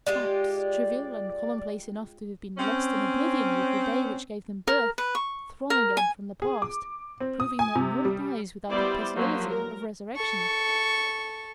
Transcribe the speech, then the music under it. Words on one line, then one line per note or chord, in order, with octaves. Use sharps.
Facts, trivial and commonplace enough to have been lost in oblivion with the day which gave them birth, throng again from the past, proving that nought dies without a possibility of resurrection.
G#3 F4 G4 D5
C4 C#4
A#4
B4
C#6
A#4
G#5
G#4
D6
C4
D#6
G#5
C3
G3
G3 B3 E4 C5 D5
F3 F#3 A#3
A#4
A4 C#6